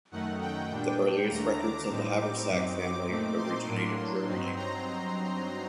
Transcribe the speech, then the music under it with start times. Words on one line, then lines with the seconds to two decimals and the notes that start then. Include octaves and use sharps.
The earliest records of the Habersack family originate in Germany.
0.12 F#2 D#3 A3 D#4 F#5
0.41 G5
0.71 A#2 G3 D4
1.30 D#2 D3 A3 D4 A#5
1.59 D6
1.89 A2 G3 C4 D#4
2.19 D6
2.49 F#2 F#3 C4 D#4
2.78 D6
3.08 A#2 A3 C4 D#4
3.37 C6
3.67 A2 F#3 A#3 D4
4.26 G2 F#3 C4 D#4
4.56 A#5